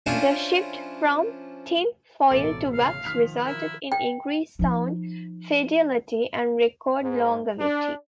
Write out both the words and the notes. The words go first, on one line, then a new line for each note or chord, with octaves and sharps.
The shift from tinfoil to wax resulted in increased sound fidelity and record longevity.
F3 C#4 D4 E4 F4
E1 A1 B2 A4 D5 E5
C#3 A3 F5
D#3 F3 F6 B6 F7
E4 A#4
G5
F3 D#4
G#2
D4